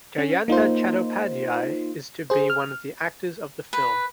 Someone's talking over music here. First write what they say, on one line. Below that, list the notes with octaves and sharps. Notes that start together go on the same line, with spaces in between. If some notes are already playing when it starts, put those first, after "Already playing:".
Jayanta Chattopadhyay is to be one of the actors of the film.
C#4
A#3 D#4 F4 C5
G#4 C5
F6
B4